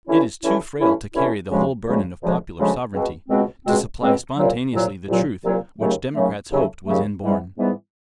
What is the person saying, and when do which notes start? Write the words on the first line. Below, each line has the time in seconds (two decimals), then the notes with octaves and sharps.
It is too frail to carry the whole burden of popular sovereignty, to supply spontaneously the truth which democrats hoped was inborn.
0.07 G2 E3 A3 C#4 E4
0.43 G2 E3 A3 C#4 E4
0.79 G2 E3 A3 C#4 E4
1.15 G2 E3 A3 C#4 E4
1.50 D2 C#3 F3 G#3
1.86 D2 C#3 F3 G#3
2.22 D2 C#3 F3 G#3
2.58 D2 C#3 F3 G#3
2.93 C#2 B2 G#3 C4
3.29 C#2 B2 G#3 C4
3.65 C#2 B2 G#3 C4
4.01 C#2 B2 G#3 C4
4.37 C2 A#2 F#3
4.72 C2 A#2 F#3
5.08 C2 A#2 F#3
5.43 C2 A#2 F#3
5.79 D#2 C#3 F#3 A3
6.15 D#2 C#3 F#3 A3
6.50 D#2 C#3 F#3 A3
6.86 D#2 C#3 F#3 A3
7.22 G#2 E3 G3 B3
7.57 G#2 E3 G3 B3